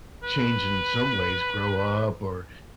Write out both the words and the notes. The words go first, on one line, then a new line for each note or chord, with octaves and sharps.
change in some ways, grow up, or,
B4